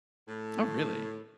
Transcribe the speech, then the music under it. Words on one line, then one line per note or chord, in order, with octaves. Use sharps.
Oh, really?
A2